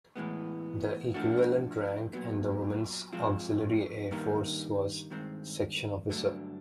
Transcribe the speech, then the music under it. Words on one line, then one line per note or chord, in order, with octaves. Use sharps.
The equivalent rank in the Women's Auxiliary Air Force was "section officer".
A2 E3 G#3 B3
F3 A3 D4 F#4
A#2 F#3 B3
F3 G#3 C4 F4
G2 D#3 G3 A#3 D#4
G2 D#3 G#3 C4
G2 D3 F#3 A3 D4